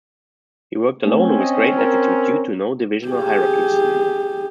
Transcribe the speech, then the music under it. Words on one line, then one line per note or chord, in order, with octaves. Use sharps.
He worked alone and with great latitude due to no divisional hierarchies.
A3 C4 C#4
D#5
A#4
G4 G#4